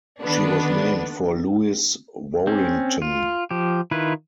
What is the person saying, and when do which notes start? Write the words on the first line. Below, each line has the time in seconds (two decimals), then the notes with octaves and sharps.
She was named for Lewis Warrington.
0.22 D3 D#3 B3 D4 B4
2.47 C4 C#4
3.02 F4
3.51 F3 G4
3.91 D#3 E4 F4 B4